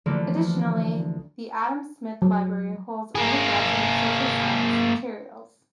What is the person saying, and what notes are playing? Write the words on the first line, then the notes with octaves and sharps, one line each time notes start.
Additionally, the Adam Smith library holds undergraduate social science materials.
D2 D3 E3 F3 A3 A#3
F#3
A#3 G#4